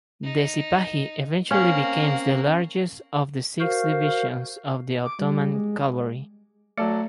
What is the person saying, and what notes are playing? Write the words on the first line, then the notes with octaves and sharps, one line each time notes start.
The Sipahi eventually became the largest of the six divisions of the Ottoman cavalry.
D#4
A#3 C4 C#4 F5
F#4 A#4 C5 F5
D6
G3
G#3
F#3 A3 A4 D5